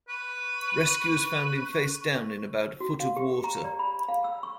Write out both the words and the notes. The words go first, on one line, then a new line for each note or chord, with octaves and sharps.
Rescuers found him face down in about a foot of water.
B4 C#6
F#4
F5
G4
A#5
D5
B5
F5
E6
C#6